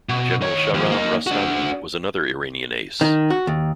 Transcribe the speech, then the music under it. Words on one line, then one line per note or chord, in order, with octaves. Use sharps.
General Shahram Rostami was another Iranian ace.
B2
D#3 C#5
D#2 F3
A#3 D#4
D4 F#4
D#3
F#4
D#2